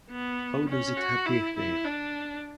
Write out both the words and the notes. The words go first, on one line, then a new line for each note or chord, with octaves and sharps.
How does it appear there?
B3
C#4
F#4
E4
E4
D4